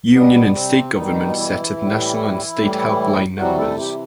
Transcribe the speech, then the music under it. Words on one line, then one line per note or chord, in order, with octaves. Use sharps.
Union and state governments set up national and state helpline numbers.
B2 G3 B3
C3 C4
B2 D#3 G3 D#4
E3 E4
A2 G3
A2 G3
C3 E3 F#3 G3 F#4
A3 A4
G3 G4